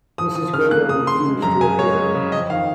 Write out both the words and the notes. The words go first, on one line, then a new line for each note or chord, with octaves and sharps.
Mrs. Crater refused to appear.
F3 D#6
F3 D#6
C#3 F6
A#3 F#6
C#3 D#6
C#3 C6
G#3
F#2 A#5
C#3 G#5
G#3 C#5
G#3
C#3
F2 D#5
D#3 F5